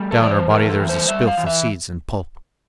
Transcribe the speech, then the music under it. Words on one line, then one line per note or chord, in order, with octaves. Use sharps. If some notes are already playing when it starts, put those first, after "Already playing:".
Down her body there was a spilth of seeds and pulp.
Already playing: G3 A3
A4
E3 D5
C5
A3 A#4
A4
E3
C5
G3 E5
F5
E3
E5